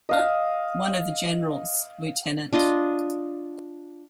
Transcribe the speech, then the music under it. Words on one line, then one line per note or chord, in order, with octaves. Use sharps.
One of the generals, Lieut.
D#5 F5
D4 F4 D#5 C6